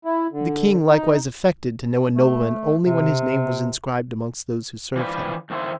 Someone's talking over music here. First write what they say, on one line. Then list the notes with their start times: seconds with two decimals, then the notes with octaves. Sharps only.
The king likewise affected to know a nobleman only when his name was inscribed amongst those who served him.
0.05 E4
0.32 D3
0.88 D#4
2.16 A3
2.84 C3
4.96 E3 F3 D4 B4
5.50 F2 D#3 G#3 E4 C5